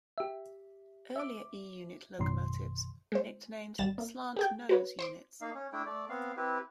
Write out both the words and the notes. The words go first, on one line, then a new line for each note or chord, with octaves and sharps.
Earlier E-unit locomotives were nicknamed "slant nose" units.
G4 E5
E5 D6
A1 F#2 B2 D#3 C6
G#3 C5
G#1 G3 A6 E7
A#3
G4 G#4 G5
F#4 B4 C#5
C5 C6 D6
A#3 D#4 F5
C#4
A3 D4 E4 G5
A3 D5
B3 C4 F5
C4 E4 G4 B4